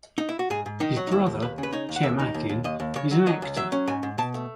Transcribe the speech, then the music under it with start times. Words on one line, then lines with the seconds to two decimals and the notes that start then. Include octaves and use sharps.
His brother, Cem Akin is an actor.
0.18 D#4
0.29 E4
0.39 F#4
0.50 G#2 G#4
0.66 G#2
0.80 D#3 D#4
0.96 F#3
1.07 D#4
1.11 D#2 E4
1.26 D#2
1.42 D#2 B4
1.58 C#3
1.63 B4
1.73 D#4 C#5
1.89 D#2
1.96 F#5
2.03 D#2 E5
2.19 D#4
2.34 D#2
2.49 D#2
2.64 D#2 D#5
2.80 D#2
2.96 C#3 C#5
3.11 F#3
3.27 F#3 D#5
3.42 C#2
3.56 F#3 E5
3.72 C#4
3.87 G#2 G#5
4.03 G#2
4.18 B2 A5
4.34 A3